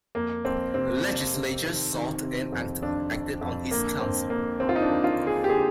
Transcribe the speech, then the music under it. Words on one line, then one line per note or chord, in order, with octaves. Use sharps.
The legislature sought and acted on his counsel.
F2 A#3
F2 C4
C3 C4
C3
C3
D#3
D#3
C3
F2
F2 D4
F2
F2
D3 A#3
D3 C4
D3 A#3
D#2 C4
F4
D#4
D4
D#2
F4
D3
G#4
G4
D3 G#4